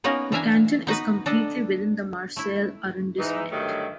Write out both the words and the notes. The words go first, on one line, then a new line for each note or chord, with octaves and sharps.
The canton is completely within the Marseille arrondissment.
A#3 B3 C#4 D#4 F#4 A#4
E3 D4 E5 F5 G#5 A#5
B3 D#4 F#4 B4
D4 A4 D#5
A3 E4
G#2 E3 D#4
G2 D3 D#3 F#3 A3 C#5